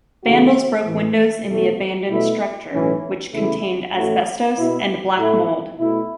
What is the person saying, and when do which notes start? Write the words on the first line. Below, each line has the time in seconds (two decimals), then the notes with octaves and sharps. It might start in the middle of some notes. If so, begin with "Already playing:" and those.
Vandals broke windows in the abandoned structure, which contained asbestos and black mold.
0.24 E2 C#3 A3 F#4
0.86 A1 A2 E3
1.48 E2 B2 A3
2.09 B2 A3 E4
2.70 B1 A2 E3 C#4
3.33 E2 C#3 A3 E4
3.95 A1 A2 A3 C#4 F#4
4.56 B2 B3 E4
5.17 A2 A3 E4
5.79 B2 A3 E4